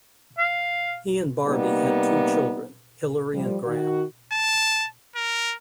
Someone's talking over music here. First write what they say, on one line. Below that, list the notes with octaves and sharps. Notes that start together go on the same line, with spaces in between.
He and Barbie had two children; Hilary and Graham.
F5
C3 G3 A#3 B3 D#4
F3 G3
D#3 F#4
A5
A#4